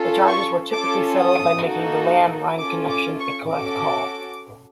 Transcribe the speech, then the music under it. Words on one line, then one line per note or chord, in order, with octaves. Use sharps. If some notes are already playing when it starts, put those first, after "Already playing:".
The charges were typically settled by making the landline connection a collect call.
Already playing: C#4 F4 A4
C#6
C#4 F4 A4 D6
D#6
A#3 D#4 F#4 A4
C#4 F4 A4 D6
D6
C#6
C#4 F#4 A4 D6